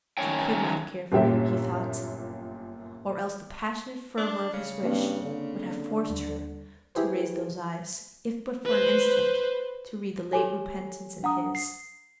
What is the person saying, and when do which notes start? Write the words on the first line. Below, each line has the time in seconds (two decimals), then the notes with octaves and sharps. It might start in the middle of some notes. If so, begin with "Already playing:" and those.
She could not care for him, he thought, or else the passionate fervour of his wish would have forced her to raise those eyes, if but for an instant, to read the late repentance in his.
0.17 F#2 D#3 C#4 C#5 G5
1.12 G1 F#2 A#2 C#4 G4 E5
4.17 D4
4.53 C#3
4.83 G2 A#3 C4 C#4
5.23 D3
6.09 D#2 G3
6.95 E4 G4 G#4 B4 C5
8.65 B4 C5
10.33 G4 A4 C#5 G#5
11.23 D4 F#5 A#5 D#6
11.55 C7